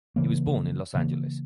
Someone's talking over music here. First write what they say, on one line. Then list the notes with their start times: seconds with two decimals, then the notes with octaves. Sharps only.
He was born in Los Angeles.
0.16 C#3 E3 A#3
0.95 C#3 E3 A#3